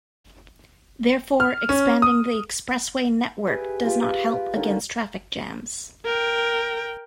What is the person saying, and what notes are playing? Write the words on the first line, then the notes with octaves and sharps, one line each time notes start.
Therefore, expanding the expressway network does not help against traffic jams.
F6
C#4
D#6
G4 G#4 B4 E5
F4 G4 B4
D3 D#3 C#4
A#4 G5